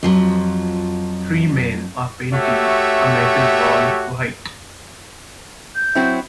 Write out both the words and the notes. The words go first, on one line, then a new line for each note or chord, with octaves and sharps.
Three men are painting a metal wall white.
F2 F3 F#3
A3 F#4 G4 C#5 E5
G6
F#3 C4 E4